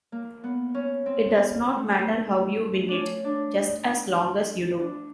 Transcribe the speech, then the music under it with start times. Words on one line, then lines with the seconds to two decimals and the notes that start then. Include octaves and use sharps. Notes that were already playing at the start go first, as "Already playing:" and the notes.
It does not matter how you win it, just as long as you do.
0.12 A#3
0.44 B3
0.74 C#4
1.06 C4
1.29 B3
1.53 A#3
1.76 A3
1.99 A3
2.89 C#4 D4
3.24 D4
3.55 D#4
4.80 D4